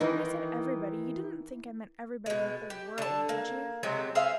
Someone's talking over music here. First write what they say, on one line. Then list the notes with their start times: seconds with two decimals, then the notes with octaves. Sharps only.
When I said everybody, you didn't think I meant everybody in the whole world, did you?
0.01 D#3 E3 D#4
2.26 B2 G#3
2.70 G4
2.98 D3 A5
3.29 A#3
3.83 C3 F#3 G#3 C4
4.15 G#4 C5 E5 F5